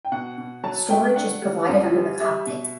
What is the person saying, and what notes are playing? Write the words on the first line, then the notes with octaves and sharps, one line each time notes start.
Storage is provided under the cockpit.
G5
B2 F#5
B2
F#3 A5
A3 G5
D4 F#5
G3
F#2
G3
G3 E5
B2